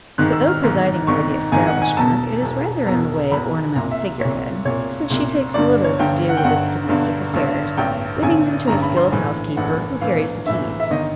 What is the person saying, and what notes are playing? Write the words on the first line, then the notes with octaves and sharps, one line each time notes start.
But, though presiding over the establishment, it is rather in the way of ornamental figure-head; since she takes little to do with its domestic affairs, leaving them to a skilled housekeeper who carries the keys.
G#1 G#2 D#3 F#6
E6
F6
G#1 G#2 D#3
G#1 G#2 D#3 C#6
G#1 G#2 D#3 G#5
F#5
G#5
E1 E2 B2 A5
E1 E2 B2
E1 E2 B2 A#5
E1 E2 B2 B5
C2 A#2 A#5
E5
C2 A#2 C#5
C2 A#2 C#5
C2 A#2
G1 G2 D3 D5
C#5
G1 G2 D3 G5
F#5
G5
G1 G2 D3 F#5
G1 G2 D3
A1 G2 D3
A1 G2 D3 G5
A1 G2 D3 G#5
A1 G2 D3 A#5
B5
C6
A#1 A2 E3 G#5
A#1 A2 E3 F#5
A#1 A2 E3 F5
A#1 A2 E3 E5
E5
G1 D#3 D#5